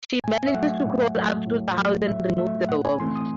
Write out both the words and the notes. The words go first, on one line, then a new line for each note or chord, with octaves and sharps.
She manages to crawl up to the house and remove the worm.
A2 G#5
E5
F#3 A3 F#5
A2
F#3 A3
A2
F#3 A3
A2 E5
F#3 A3 E5
A2 F#5
G#5
E3 A3 C4 C6
D#6